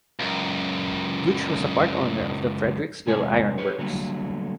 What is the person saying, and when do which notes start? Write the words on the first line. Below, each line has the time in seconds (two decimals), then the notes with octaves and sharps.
Gooch was a part owner of the Fredericksville Ironworks.
0.19 C#2 F#2
3.06 E2 C3 G#3 C#5 G#5
3.58 G4 B4 C#5
3.78 D3 F#3 G3 A3 A#3